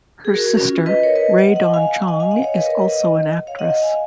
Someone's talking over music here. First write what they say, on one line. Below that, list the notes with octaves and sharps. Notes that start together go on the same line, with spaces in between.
Her sister Rae Dawn Chong is also an actress.
G#4
F#4 A#4
C#4
F4
B4 D#5
A#4 C#5
B4 D#5
D#5 F#5
D#5 F#5
F5 G#5
D#5 F#5
F5 G#5
D#5 F#5
C#5 F5
B4 D#5
A#4 C#5
B4 D#5
D#5 F#5
D#5 F#5
C#5 F5
D#5 F#5
D#5 F#5
F5 G#5